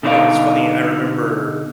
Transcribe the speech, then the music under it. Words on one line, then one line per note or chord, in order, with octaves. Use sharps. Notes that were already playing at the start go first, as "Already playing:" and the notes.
You know, it's funny, I remember
B2 D3 D#4 B4 D5 F5